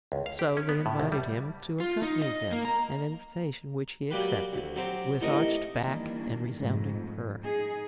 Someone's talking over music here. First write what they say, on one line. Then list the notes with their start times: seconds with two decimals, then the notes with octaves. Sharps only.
So they invited him to accompany them, an invitation which he accepted with arched back and resounding purr.
0.12 C#2
0.26 F5
0.39 G4
0.57 C#4
0.69 B3
0.86 A2
1.00 C2
1.12 G3
1.80 F4
2.02 D#4
2.22 D#5
2.52 A#3
2.65 A#5
4.11 F#3 G3 A#3 G4 B4
4.53 D2
4.76 F#3 C4 G4 C6
5.21 A2 C3 D#4 A#4 D#5
5.81 D#3 E3 G3 A#3 D4
6.57 F2 G#2 A3
7.41 D#4 G#4